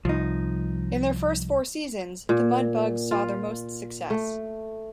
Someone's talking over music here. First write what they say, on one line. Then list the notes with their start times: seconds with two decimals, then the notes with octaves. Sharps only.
In their first four seasons, the Mudbugs saw their most success.
0.05 C2 F3 D#4
2.29 A#2
3.11 F4
4.10 A3